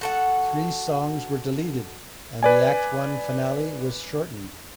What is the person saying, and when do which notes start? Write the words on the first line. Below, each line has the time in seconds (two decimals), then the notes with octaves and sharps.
Three songs were deleted, and the Act One Finale was shortened.
0.01 F#4 A4 F#5
2.43 B4 D5 G#5